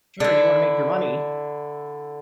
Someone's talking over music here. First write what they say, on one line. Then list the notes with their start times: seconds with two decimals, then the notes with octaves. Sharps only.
Sure, you wanna make your money.
0.20 D3 E4